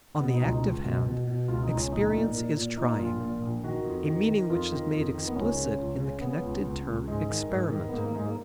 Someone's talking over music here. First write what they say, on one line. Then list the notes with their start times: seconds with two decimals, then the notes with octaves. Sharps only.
On the active hand, experience is trying--a meaning which is made explicit in the connected term experiment.
0.20 B2 B3
0.34 D#4
0.42 C#2
0.49 D#4
0.63 C#2
0.85 B2
1.06 B2
1.28 B2
1.48 C#2 F4
1.63 D#4
1.71 C#2
1.77 C#4
1.92 A#1 D#4
2.13 A#2
2.35 A#2
2.57 A#2
2.77 A#2 D#4
2.99 A#1 F4
3.21 A#2
3.42 A#1
3.64 D#3 F#4
3.85 F2
4.06 D#3
4.28 D#3
4.50 F2 F4
4.72 D#3
4.93 F2
5.15 D#3
5.27 B3
5.35 C#2 C#4
5.57 C#3
5.79 C#2
6.00 C#3
6.21 C#3 B3
6.42 C#2
6.64 C#2
6.86 C#2
7.08 G#2 G#3
7.30 D#3
7.50 G#2
7.72 D#3
7.89 B3
7.93 G#2 A#3
8.04 A#3
8.15 G#2 G#3
8.26 A#3